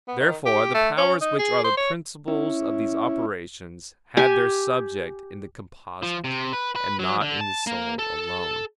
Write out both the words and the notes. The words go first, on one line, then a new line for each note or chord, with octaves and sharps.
Therefore the powers which are the principles of these operations have their subject in the composite, and not in the soul alone.
B3
D#3
G4
A3
C#4
D#4
G#4
C5
C#5
C#4 E4
G4 G#5
F3
C3
B4
B4
F#3
D3
A5
A#3
A4